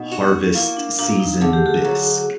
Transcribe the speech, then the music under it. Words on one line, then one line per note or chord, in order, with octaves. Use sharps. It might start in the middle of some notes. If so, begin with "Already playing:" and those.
harvest season bisque.
Already playing: B2 D#4
F#4
A#3 E4
D4
A#2 D4
D#4
D3 G#4
G4
F#4 G#4
F#3